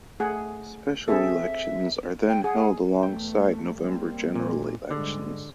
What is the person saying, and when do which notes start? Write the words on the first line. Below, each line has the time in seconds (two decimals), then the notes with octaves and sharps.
Special elections are then held alongside November general elections.
0.20 A3 G#4 F#5
1.08 C4 G#4 A4 E5
2.29 G5
2.44 G#4 F#5
3.03 E2 A3 G5
3.76 G3 A#3 C4
4.35 A#2
4.91 G#2 D3 G3 G#3